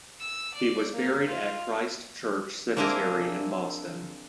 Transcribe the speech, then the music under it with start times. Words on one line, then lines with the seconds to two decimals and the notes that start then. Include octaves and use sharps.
He was buried at Christ Church Cemetery in Boston.
0.20 E6
0.54 D5
0.93 A#3
1.25 F4
2.77 A#3 C4 D4 E4 G#4 A#4